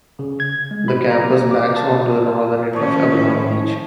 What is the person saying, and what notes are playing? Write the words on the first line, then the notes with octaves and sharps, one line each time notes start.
The campus backs onto the Northern end of Avalon Beach.
C#3
G#6
G#3
B5
A#5
A#3
D6
A5
D#3 F3 C#4 C#5